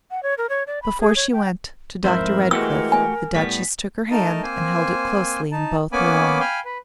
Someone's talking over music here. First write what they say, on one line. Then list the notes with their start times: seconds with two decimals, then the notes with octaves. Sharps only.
Before she went to Dr. Redcliff the Duchess took her hand and held it closely in both her own.
0.11 F#5
0.23 C#5
0.38 A#4
0.50 C#5
0.67 D5
0.82 B5
1.01 G#4
1.16 C#5
1.33 G5
2.04 F2 G#2 E4 A#4 C5 E5
2.51 E3 G#3 A3 F#4 G4 E6
2.92 G#5
3.35 A2 G3 B3 B6
4.11 A3 D#4 A#4 D#5 A5
4.43 A#3 C4 C5 G#5
5.52 D#4 A5
5.92 A#3 B3 C#4 G#5 B5 D6
6.40 F5 G5 G#5 B5
6.65 B4